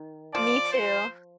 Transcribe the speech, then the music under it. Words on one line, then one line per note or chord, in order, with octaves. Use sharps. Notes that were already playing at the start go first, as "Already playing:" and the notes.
Me too.
Already playing: D#3
F3 D5
C5